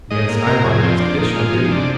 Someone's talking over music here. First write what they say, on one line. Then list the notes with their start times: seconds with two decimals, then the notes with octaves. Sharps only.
'Yes, I am on an expedition of duty.
0.10 G#2 D#5
0.29 A#3
0.46 C3 A#4
0.64 F2 G#4
0.83 F3 C4
1.00 F3 D4
1.18 A#2 D#4
1.36 G#3 F4
1.53 F3 D#4
1.71 C3 D4